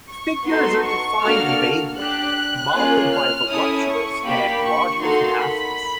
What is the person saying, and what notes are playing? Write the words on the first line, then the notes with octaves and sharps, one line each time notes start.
Figures are defined vaguely, modeled by voluptuous and androgynous masses.
C#6
B3 D#4 F#4 A4 C6
C#6
A#3 D4 F#4 A4 F6
D4 G4 F#6
A#3 C#4 F4 G#4
F6
C#4 E4 A4 D#6
C#6
A#3 D4 G4 B5
C#6
A#3 D#4 F#4 A4 C6
B5